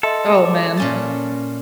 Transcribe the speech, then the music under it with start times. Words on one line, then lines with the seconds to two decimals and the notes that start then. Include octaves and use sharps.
Oh man.
0.03 A4 D#5 E5 C6
0.45 D6
0.77 A#2 C#4 A5